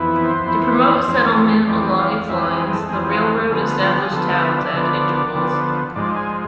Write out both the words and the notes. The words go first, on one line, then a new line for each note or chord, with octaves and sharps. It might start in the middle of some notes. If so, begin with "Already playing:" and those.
To promote settlement along its line, the railroad established towns at intervals.
Already playing: F2 E3 B3 E4
C5
F2 E3 B3 E4
F2 E3 G#3 C4
F2 E3 G#3 C4 D5
F5
F2 E3 G#3 C4 E5
G#4
G#4
A4
F2 E3 G#3 C4 G#4
F4
D3 F3 B3 G#4
F4
G#4
D3 F3 B3 A4
E5
E5
D5
E5
D3 F3 B3 D5
D3 F3 B3
G#2 F3 G#3 D5
G#5